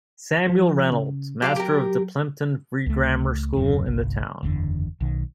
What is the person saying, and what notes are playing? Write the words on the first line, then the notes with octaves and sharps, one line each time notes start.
Samuel Reynolds, master of the Plympton Free Grammar School in the town.
F3
C#3
F#3 G4 F5 A#5
G4 A#4
C#2 A3
D#1 F#2 C3
G1 C2
F#1 E2 D3
B1 D#3